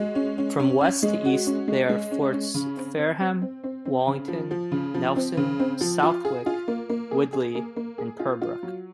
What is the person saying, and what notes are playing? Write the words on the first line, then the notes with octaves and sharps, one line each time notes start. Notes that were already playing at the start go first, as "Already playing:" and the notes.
From west to east they are forts Fareham, Wallington, Nelson, Southwick, Widley and Purbrook.
Already playing: G#3 F#4
C#4
C#4
C#4
C#4
G#3
F#4
C#4
G#3
G#3
C#4
C#4
C#3
C4
C4
C4
C4
C4
C4
C#3
F3
F3
C#3
F3
C4
C#3
C4
F3
F4
G#4
F4
A#3
A#3
G#4
G#4
A#3
A#3
G#4
F4
F4
F#3